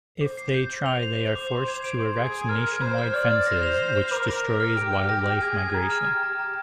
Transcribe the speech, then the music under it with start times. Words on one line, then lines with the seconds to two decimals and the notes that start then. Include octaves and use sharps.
If they try they are forced to erect nationwide fences, which destroys wildlife migration.
0.21 C5 D6
0.37 C7
0.54 G6
0.70 G6
0.86 C5 F7
1.02 C7
1.19 F7
1.35 D6
1.52 C6
1.68 G#6
1.84 D7
2.00 C6
2.16 G#4 G#6
2.32 G#6
2.49 A#4 F6
2.66 G#6
2.81 C5 F6
2.98 F6
3.14 D5 F6
3.31 F6
3.46 C5 A#6
3.63 F7
3.80 F7
3.95 F6
4.11 A#4 D6
4.28 A#6
4.45 F6
4.60 F6
4.76 G4 D7
4.93 F6
5.09 A#6
5.26 F6
5.42 G#4 G#6
5.59 G#6
5.74 A#5
5.90 F6
6.06 G4 A#5
6.23 A#5
6.39 A#5